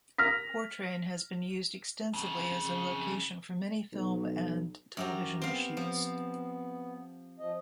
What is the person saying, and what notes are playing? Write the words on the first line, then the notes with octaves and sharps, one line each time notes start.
Portrane has been used extensively as a location for many film and television shoots.
F6 A#6 B6
F2 C#3
B1
F#2 F#4 G4 A#5
B3 C4 F5
F3
F3 D#5